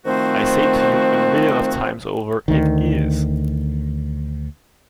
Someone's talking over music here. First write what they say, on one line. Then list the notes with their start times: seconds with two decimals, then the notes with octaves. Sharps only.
I say to you, a million of times over, it is.
0.06 D#3 F3 A3 C4 F#4 C5
2.48 D2 D#3